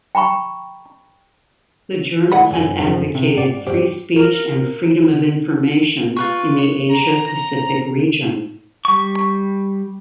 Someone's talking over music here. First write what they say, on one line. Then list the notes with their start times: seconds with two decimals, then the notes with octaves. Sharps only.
The journal has advocated free speech and freedom of information in the Asia-Pacific region.
0.15 G5 A#5 B5 C#6
2.32 D#3 E4 D5 F#5 B5
2.50 F#2 G#5
2.79 F#2 C#3 E3 F3
3.15 C3
3.36 G#2 D5 G5
3.66 C#2 G2 G4 C5
4.16 A#4
6.16 F4 B4 C#6
6.58 C#5
6.90 A#5
8.85 G3 C#6